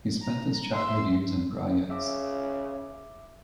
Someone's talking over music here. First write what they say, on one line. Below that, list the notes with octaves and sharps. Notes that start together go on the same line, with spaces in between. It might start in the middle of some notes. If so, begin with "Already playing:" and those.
He spent his childhood years in Grojec.
A#5
E5 C6
C#3 E5 D6